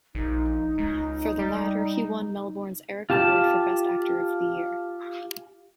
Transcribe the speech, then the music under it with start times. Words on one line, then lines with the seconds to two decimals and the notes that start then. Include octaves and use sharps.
For the latter, he won Melbourne's Erik Award for best actor of the year.
0.15 A#1 D#4
0.78 C#2
1.39 G3
3.10 F4 G4 A5